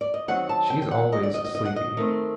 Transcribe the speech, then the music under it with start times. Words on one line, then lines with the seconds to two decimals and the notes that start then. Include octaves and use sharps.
She's always sleepy!
0.01 D5
0.14 D#5
0.28 D#3 F#3 C4 F#5
0.49 A5
0.70 G5
0.82 G5
0.91 F#5
1.12 D#5
1.23 D5
1.34 D#5
1.44 D#5
1.55 D#5
1.65 F#5
1.76 D#5
1.97 D#3 A3 C4